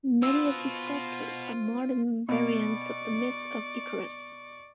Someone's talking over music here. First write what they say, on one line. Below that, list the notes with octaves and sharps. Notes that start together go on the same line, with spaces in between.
Many of his sculptures are modern variants of the myth of Icarus.
B2 F4 C5 E6
B2 D5 C#6